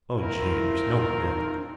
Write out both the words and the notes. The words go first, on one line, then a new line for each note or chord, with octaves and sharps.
O, jay, there's no milk.
A3 C4 E4 F4 A#4
D#4
D4